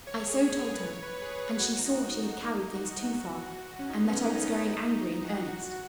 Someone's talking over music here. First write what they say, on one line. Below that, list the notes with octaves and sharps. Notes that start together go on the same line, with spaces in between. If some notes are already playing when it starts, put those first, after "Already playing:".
I so told her, and she saw she had carried things too far, and that I was growing angry in earnest.
C#5
G#4
G#4
C#5
B4
C#5
B4
G#4
G#4
F#4
D#4
F#4
C#4
D#4
B3
C#4
D#4
D#4
F#4
D#4
F#4